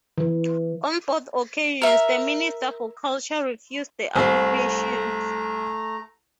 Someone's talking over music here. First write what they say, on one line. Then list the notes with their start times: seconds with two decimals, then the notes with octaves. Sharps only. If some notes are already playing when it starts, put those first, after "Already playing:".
On both occasions the Minister for Culture refused the application.
0.18 E3
1.82 A#4 E5
4.16 C2 A3 C5 F5 A#5